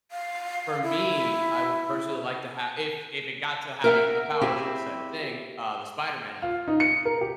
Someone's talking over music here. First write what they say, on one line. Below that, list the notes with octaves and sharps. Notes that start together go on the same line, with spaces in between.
For me, I would personally like to ha if if it got to having the powers of said thing, uh, the Spider-Man outfit.
F5
E4
A#4 E5 F#5
C4 E4 G4 G#4
F4
D#4
C#7
A#4
G4